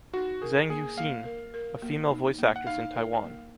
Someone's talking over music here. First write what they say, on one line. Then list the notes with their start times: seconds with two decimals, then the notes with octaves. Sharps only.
Zheng Yuxin, female voice actress in Taiwan.
0.13 D#4 F#4
0.42 G#4 A#4
0.69 A#3 G#4
0.97 A#3 F5
1.25 A#4
1.54 A#4
1.82 A#3
2.10 D#4
2.38 A#3
2.56 F#5
2.67 D#4 F5
2.95 A#4
3.22 A#3